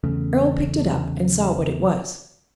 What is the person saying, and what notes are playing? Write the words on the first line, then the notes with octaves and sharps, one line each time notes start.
Earle picked it up, and saw what it was.
E2 C#3 A3